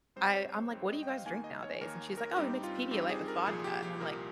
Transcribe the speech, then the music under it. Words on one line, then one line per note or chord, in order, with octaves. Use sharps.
I I'm like, "What do you guys' drink nowadays?" And she's like, "Oh, we mix Pedialyte with vodka," And I'm like,
G#2 G3 C4 C5
C#5
C#5
G#2 G3 C4
D#5
G5
F5
D#2 D#3 A#3 G#5
D#5
C#5
D#2 D#3 A#3 A#4
A#4
G2 G3 C4 D#4 G4
F4
G2 G3 C4 D#4 G4
G#4
A#4
C2 A#2 F3 G#4
G4
G4
C2 A#2 F3 A#4